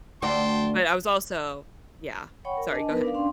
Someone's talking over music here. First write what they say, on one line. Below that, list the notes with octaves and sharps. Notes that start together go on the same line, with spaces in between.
But I was also Yeah, sorry, go ahead.
D2 F#4 D5 G5 A5 C6
C#5 F#5 G5 B5 C#6
A#4
D4 D#5 G#5 A5
B3 D#4 A#4 B4
D4 D5 F5
C#4 D4 G5 C6